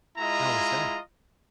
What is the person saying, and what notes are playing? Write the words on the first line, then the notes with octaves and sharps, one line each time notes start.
"How was that?"
G#3 E4 F4 D#5 A#5